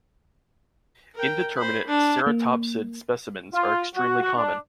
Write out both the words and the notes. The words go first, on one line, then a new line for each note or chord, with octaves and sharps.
Indeterminate ceratopsid specimens are extremely common.
A#4 G5
C5 B5
D4
A#3
F4
F#4
F#4
D4